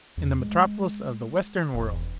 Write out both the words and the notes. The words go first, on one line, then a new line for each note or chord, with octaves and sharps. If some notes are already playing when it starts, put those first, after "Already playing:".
In the metropolis of the western world!
E2
G#3
E1